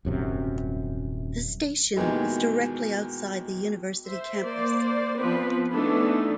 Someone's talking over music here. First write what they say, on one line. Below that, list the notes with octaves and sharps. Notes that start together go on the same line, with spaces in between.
The station is directly outside the University campus.
D#1 F#2 C3
D#2 B2 D#3 E3 G#3
C5 E5
A#3 C5 D5
F3 B3 C4 B4
E3 A3 B3 D4 D#4